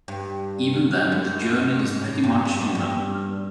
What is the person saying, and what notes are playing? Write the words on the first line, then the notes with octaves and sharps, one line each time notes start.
Even then the journey is pretty much inland.
G2
F#2
G2
G#2
A2
G2
G2
F#2
G2